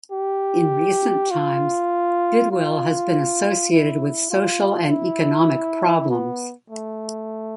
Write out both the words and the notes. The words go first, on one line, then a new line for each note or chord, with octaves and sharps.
In recent times, Bidwill has been associated with social and economic problems.
G4
F4
F4
E4
F4
E4
B3
A3